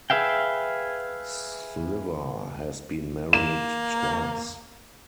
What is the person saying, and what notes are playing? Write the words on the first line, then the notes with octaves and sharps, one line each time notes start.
Sliwa has been married twice.
G#4 B4 E5 F5 G5
A#3 E7